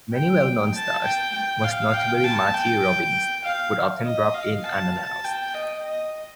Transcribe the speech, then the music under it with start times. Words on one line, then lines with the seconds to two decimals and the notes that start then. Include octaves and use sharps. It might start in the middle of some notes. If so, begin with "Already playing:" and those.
Many well-known stars, most notably Marty Robbins, would often drop in unannounced.
0.14 G5
0.74 A5
1.04 G5
1.34 G5
1.64 F5
1.94 G5
2.24 A5
2.54 G5
3.44 F5
4.04 D#5
4.34 F5
4.64 A5
4.94 A5
5.25 G5
5.54 D#5
5.85 D#5